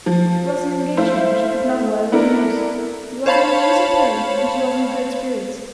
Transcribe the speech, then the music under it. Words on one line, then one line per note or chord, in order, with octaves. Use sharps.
It was an engagement she could not well refuse. It was an amusing play and she was in good spirits.
F3
A3 E4 C5 E5 F5
A3 B3 D4 E4 A4 A#4
C5 C#5 F5 A5 B5